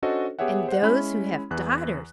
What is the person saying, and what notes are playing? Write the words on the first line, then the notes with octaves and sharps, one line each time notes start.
And those who have daughters!
C#4 D4 F#4 A4 C5 D#5
B3 G4 G#4 C#5 E5 F#5
C5 F#5
G#3 C#4 E4 B5
E2 E3 F#6